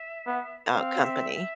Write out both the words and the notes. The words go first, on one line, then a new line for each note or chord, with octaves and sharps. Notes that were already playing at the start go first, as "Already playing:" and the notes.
uh, company,
Already playing: E5
B3
C4 F5
E5
E5